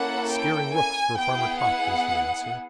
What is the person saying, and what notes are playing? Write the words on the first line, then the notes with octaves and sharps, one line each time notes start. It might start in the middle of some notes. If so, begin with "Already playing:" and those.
'Scaring rooks for Farmer Topp,' was the answer.
Already playing: A#3 C#4 E4 A4 F#5
G5
G#5
B3 E4 G#4 G5
F#5